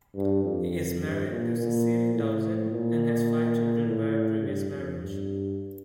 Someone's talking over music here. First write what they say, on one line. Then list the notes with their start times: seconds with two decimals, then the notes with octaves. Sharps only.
He is married to Cecile Tauzin and has five children by a previous marriage.
0.15 G2
0.43 F2
1.00 G2
1.29 A#2
1.57 A#2
2.14 A2
2.71 A#2
3.85 A2
4.42 G2
4.71 F2
4.99 G2